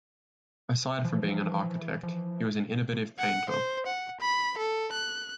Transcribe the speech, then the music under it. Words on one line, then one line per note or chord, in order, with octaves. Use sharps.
Aside from being an architect, he was an innovative painter.
E3 F3
E3 F3
F#5
C5
F#5
B5
A4
F#6